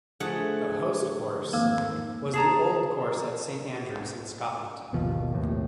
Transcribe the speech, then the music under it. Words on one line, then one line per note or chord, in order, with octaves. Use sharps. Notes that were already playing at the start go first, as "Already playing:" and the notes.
The host course was the Old Course at Saint Andrews in Scotland.
D3 F3 A3 G#4 F#5
F2 G#2 D#3 A#3 F5 E6
G#4 A5 A#5
G#1 D#2 B2 F3
G#1 D#2 A2